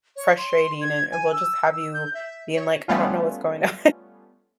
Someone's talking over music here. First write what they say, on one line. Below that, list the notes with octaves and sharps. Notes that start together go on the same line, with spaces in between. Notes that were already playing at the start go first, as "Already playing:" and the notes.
frustrating, and it will just have you being, like, "I don't know what's going on.
C#5
C6
G#6
G#5
E6
E6
G6
E5
C#5
G3 A3 B3 C#4 F4